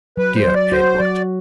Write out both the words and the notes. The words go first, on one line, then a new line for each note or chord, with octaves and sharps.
"Dear Edward!"
F#3 B4
C5
F#3
D5
F#4 C5
F#3 D5